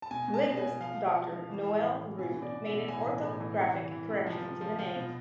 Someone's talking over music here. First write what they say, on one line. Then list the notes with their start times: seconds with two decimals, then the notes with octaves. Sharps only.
Linguist Doctor Noel Rude made an orthographic correction to the name.
0.02 A5
0.11 B2 G#5
0.28 B2
0.34 A5
0.45 B2
0.57 G#5
0.63 B2
0.80 F3 F5
0.97 F3
1.15 F3
1.32 F3
1.49 E3
1.67 A2
1.84 E3
2.01 E3
2.19 B2 G#5
2.36 B2
2.42 D5
2.53 B2
2.65 E5
2.71 B2
2.88 A2 G#5
3.06 E3
3.23 A2
3.40 E3
3.57 C3
3.74 E3
3.91 E3
4.10 C3
4.27 F3
4.44 F3
4.61 F3
4.79 F3
4.96 B2